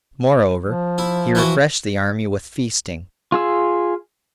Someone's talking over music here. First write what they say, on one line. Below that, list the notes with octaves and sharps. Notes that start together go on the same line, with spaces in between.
Moreover, he refreshed the army with feasting.
F3
E4
E3 E4 F#4
F4 G#4 E6